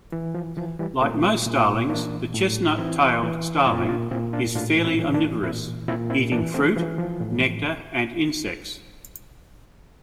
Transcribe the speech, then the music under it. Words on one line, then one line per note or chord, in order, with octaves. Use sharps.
Like most starlings, the chestnut-tailed starling is fairly omnivorous, eating fruit, nectar and insects.
E3
F3
E3 F3
E3 G3
A#2 A3 C4
A#2
E3 A#3 D4
A2
E3 C4 E4
E3
A#2 E4
F4
C4 E4
D4 F4
A#2 C4 E4
D4 F4
A2 D4 F4
C4 E4
E3
A#3 D4
A#2 C4 E4
A#2 C4 E4
C4 E4
E3 A#3 D4
A3 C4
E3 F3
F3
A2